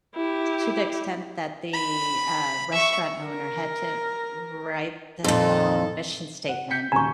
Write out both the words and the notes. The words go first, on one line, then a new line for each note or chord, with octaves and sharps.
t to the extent that the, uh, restaurant owner had to wr write this long mission statement.
E4 G4
B5
E5 C#6
A#4
F2 A#2 A4
F#5
G6 B6 C#7
D#1 C#4 G#5 A#5 C#6